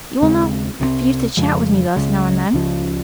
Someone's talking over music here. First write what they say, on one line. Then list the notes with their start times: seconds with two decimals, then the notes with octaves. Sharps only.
"You will not refuse to chat with me thus now and then?"
0.22 D#2 C#3 G#3 C4
0.80 C2 C3 F3 C4
1.37 F2 C#3 F3 G#3
1.96 C#2 C#3 G#3
2.53 C#2 C#3 F3